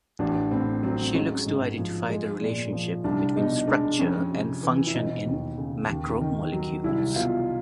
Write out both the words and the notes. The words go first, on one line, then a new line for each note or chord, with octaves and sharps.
She looks to identify the relationship between structure and function in macromolecules.
A1 D4
A2 C4
F#3 C4
G#3 C#4
G#2
F3
G#3
A#2
F3
C2 D4
B2 D#4
G#3 D4
F2 C#4
C3
E3
E4
E1 D#4
D#2
C#3
D#2
D#3
F#3
C2 E4
B2 F4